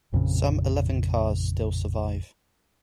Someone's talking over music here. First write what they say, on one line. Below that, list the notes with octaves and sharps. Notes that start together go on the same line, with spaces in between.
Some eleven cars still survive.
A1 F2 A#2 C#3